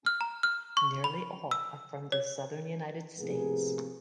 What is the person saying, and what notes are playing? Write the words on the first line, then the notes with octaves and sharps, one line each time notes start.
Nearly all are from the Southern United States.
F6
A#5
F6
C#6
B5
E6
C#5
A2 C3 F3 A#3 B3 G#4